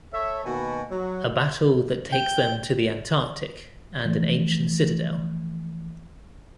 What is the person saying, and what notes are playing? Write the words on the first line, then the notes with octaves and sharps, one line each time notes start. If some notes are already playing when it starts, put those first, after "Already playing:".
A battle that takes them to the Antarctic and an ancient citadel.
A4 C#5 E5
B2 D#3 A#3 F#4 B4 G#5
F#3
G5
E3 F3 A3